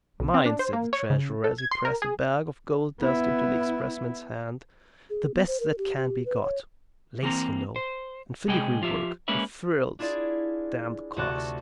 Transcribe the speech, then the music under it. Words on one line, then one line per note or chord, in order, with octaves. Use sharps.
"Mind," said the treasurer, as he pressed a bag of gold-dust into the expressman's hand, "the best that can be got,--lace, you know, and filigree-work and frills,--damn the cost!"
B1
C4
D4
C5
A#3
C#5
C#3
A4
G#6
C6
A#4
G#4
B3 E4
G#4
B3
C5
A#4
G4
G4
B4
C#5
E3 A#3 C4 A#5
C5
C3 G#3 G#4 D#5 G5
F3 F4 G4 E5
G#3 A#3 C#4 B4 E5
D4 E4 F4 G#4 D5
D2 C3 F#4 A5 D6 F#6